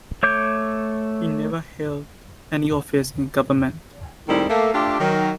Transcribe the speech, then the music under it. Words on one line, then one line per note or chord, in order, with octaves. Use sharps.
He never held any office in government.
A3 C#5 D6 G6
A2 D#3 G3 G#3 C4 E4
A3 A#3
A3 D4 F4 G4
D#3 F#3